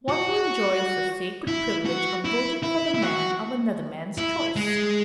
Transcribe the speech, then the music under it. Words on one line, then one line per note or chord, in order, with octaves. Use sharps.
One who enjoys the sacred privilege of voting for the man of another man's choice.
F#4
E4
F#4
E4
E4
E4
F#4
E4
G#3